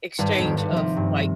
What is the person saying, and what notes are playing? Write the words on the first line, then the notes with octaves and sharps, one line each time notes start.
exchange of, like,
G#1 G2
F2
G#1
G2
F3
C3
G2